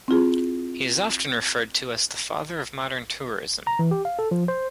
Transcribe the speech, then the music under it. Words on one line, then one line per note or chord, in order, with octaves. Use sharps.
He is often referred to as the 'father of modern tourism'.
C4 E4 F4 G#4
A#5
E3
G4
F5
A4
F3
C5